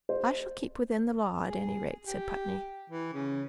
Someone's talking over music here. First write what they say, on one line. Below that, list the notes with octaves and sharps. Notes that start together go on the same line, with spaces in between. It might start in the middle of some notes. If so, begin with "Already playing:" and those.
"I shall keep within the law, at any rate," said Putney.
C5
G#4
G4
E3
C#3